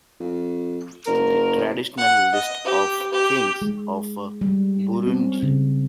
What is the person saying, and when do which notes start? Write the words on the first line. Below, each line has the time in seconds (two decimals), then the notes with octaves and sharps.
The traditional list of Kings of Burundi.
0.20 F2
1.07 F#1 A#4
1.97 F#5
2.32 D#5
2.65 G4
3.12 G4
3.62 G#3
4.41 G3
5.07 C4
5.43 C#3